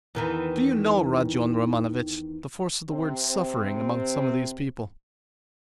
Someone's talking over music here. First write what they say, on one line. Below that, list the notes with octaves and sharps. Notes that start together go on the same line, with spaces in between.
Do you know, Rodion Romanovitch, the force of the word 'suffering' among some of these people!
E2 D#3 E3
C3 C4